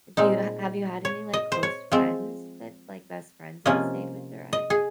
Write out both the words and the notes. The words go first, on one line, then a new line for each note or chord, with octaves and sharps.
eh, do you ha have you had any, like, close friends that, like, best friends that stayed with their ex?
A#2 G#3 C4 D#4
C#5
D#5
C5
C#5
F3 G#3 C4
C3 F3 A#3 C#4 D#5
D#5
G#4